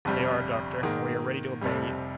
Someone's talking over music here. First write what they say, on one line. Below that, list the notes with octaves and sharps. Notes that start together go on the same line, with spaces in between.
"They are, doctor, and we are ready to obey you."
G1 F2 C3 G3
G#2 D#3 A#3
F1 F2 C3 G3